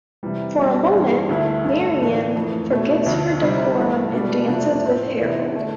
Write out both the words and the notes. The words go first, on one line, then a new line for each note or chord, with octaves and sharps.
For a moment, Marian forgets her decorum and dances with Harold.
C3 E3 G3
B2 G3 D4
G2 E3 G3
D2 D3 A3 E4
G2 D3 A3
A2 E3 A3 D4
F2 E3 A3
B2 A3 E4
D2 D3 F3
C3 G3 C4 E4
G2 E3 A3 E4
B2 G3 D4
F2 C3 F3 A3 D4
A2 F3 C4
C3 E3 B3 E4
D3 A3